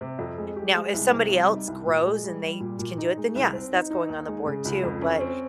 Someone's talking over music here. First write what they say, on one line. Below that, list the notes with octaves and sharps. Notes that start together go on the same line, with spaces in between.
Now if somebody else grows and they can do it, then, yes, that's going on the board too. But,
C3
F2
G#3
G4
G#3
C2
C3
G3
D#4
C2
A#2
G#3
G3
G3
A#2
A#2
D#4
G#3
C2
C4
D#4
D#4
D#2
G#3
C#3
C#2
F2
C#4
C4